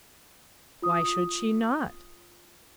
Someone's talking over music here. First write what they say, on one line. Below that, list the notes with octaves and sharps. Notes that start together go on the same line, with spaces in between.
Why should she not?
F4 D#6